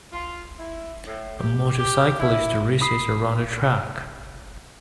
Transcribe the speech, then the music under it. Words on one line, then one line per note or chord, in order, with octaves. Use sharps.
A motorcyclist races around a track.
F4
E4
A2
G4
G4
E4
B5 D#6 C7